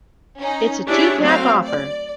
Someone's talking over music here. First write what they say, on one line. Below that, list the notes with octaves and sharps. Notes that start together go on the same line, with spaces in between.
It's a two-pack offer.
C#4 D#4
D4 E4 G4 G#4 C#5
F#3 A3 C4 F5
D5